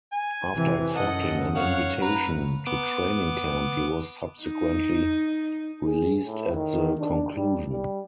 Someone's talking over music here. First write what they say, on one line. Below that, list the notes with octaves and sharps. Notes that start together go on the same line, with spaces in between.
After accepting an invitation to training camp he was subsequently released at the conclusion.
G#5
C3 E3
F#2 A4 D#5 F#5
C#5 F5 F#5
B4 A#5
B3 D6
D#4
G#4
A2
D#3
D4
G3
G3